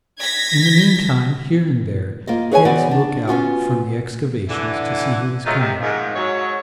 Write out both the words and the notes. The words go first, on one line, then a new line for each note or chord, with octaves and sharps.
In the meantime here and there heads look out from the excavations to see who is coming.
G#6 A#6 B6
A#3 F4 D#5
G#4 B4 C#5 E5 G5 G#5
E3 B3 C4 F#4 D5
D4
B3 C#4 F4 F#4
D3 E3
D#3 F#3 G#3 A3 D#4 F4
C3 D#3
G#2 D#3 F3
G#2 F#3 C#5